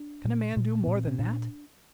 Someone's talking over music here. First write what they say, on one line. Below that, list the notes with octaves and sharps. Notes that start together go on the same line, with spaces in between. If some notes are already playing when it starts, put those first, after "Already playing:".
Can a man do more than that?
Already playing: D4
A#2
A#2
A#2 B3
C4
C#4
A#2 D4